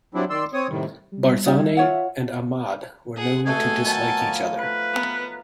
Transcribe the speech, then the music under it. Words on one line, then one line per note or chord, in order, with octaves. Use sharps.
Barzani and Ahmad were known to dislike each other.
F#3 G3 C4 D4 E4
D#3 D5 C6 E6
C4 C#5 D#6
A2 C3 D#3 G3
G3
D#4 F4 G4
E4
F4 C#5 E5 F#5
G#4 F#5
B2 A3 F#4 G#4 A4 G#5
D#3 F#3 A5 B5
F3
B4 F5 B5
B3 A#4 A#5